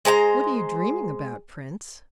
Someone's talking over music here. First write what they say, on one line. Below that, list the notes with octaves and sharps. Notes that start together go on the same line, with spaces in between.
'What are you dreaming about, Prince?'
G#3 C5 A5 A#5